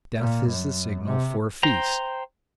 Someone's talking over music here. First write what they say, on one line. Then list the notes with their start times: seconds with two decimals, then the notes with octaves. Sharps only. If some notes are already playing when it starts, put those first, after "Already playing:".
Death is the signal for a feast.
0.20 A#2
0.50 F#2
1.05 C3
1.63 C5 G5 A#5